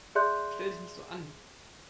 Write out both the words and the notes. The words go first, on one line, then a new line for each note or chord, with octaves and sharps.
Stell dich nicht so an!
G#4 D5 E5 C6 F#6 G6